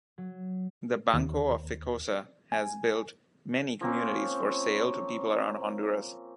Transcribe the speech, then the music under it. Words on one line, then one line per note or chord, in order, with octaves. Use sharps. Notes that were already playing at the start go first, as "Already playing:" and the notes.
The Banco of Ficosa has built many communities for sale to people around Honduras.
F#3
D#2
G#5
F3 A#3 C4 C#4